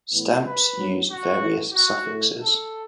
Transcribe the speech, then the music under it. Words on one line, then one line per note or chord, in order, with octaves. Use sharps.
Stamps use various suffixes.
A2 E3 B3
B4
F#2 F#3 B3
F#4
A2 E3 A3
F#4
A2 A3
A4